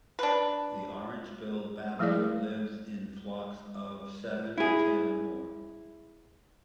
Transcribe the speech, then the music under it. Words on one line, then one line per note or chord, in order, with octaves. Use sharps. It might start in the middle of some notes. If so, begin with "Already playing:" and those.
The orange-billed babbler lives in flocks of seven to ten or more.
D4 B4
F3 G3 A3 E4 G#4 D5
E4 G#4